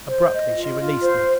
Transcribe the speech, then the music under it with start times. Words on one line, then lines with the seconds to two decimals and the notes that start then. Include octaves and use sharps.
Abruptly she released me.
0.09 C5
0.33 D#5
0.56 F4
0.80 F4
1.02 C5